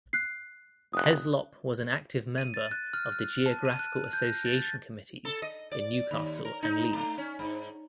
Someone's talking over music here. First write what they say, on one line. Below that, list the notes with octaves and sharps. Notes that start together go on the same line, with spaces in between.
Heslop was an active member of the Geographical Association committees in Newcastle and Leeds.
F#6 C7
F1 D#6 F#6
D#7
A6
F#6
F6
F6
A5
D#7
F#6
G6
A#6
A6
A6
A4
D#5
D5
D#2
A#4
D#4
A3
C#4
G#2